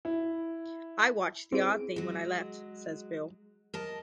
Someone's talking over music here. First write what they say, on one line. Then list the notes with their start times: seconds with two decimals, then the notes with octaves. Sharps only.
"I watched the odd thing when I left," says Bill.
0.05 E4
1.52 C4 E4 G#4 D7
1.96 F#3 G#3
3.74 A#4 D#5 A5